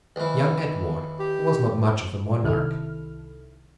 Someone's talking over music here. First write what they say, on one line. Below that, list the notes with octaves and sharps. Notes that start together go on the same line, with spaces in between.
Young Edward was not much of a monarch.
D#2 E3
G4
C2 C3 D#3 E4 A4 F6